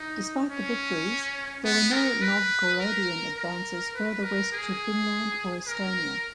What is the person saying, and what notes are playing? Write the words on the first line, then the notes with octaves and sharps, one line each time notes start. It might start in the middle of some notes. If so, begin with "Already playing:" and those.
Despite the victories, there were no Novgorodian advances further west to Finland or Estonia.
Already playing: D#4
C#4
B3
A#4
B4
A#4
A#4
B4
A#4
G#4
A#4